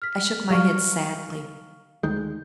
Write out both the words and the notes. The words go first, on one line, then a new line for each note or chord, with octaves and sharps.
I shook my head sadly.
F6 B6
F#3 G3 F5 C#6 F6
D2 D#3 G#3 G6